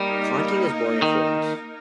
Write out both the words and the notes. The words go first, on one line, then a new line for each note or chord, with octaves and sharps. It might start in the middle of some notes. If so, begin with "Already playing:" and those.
Conti was born in Florence.
Already playing: G3 A#3 D#4 A#4
D#3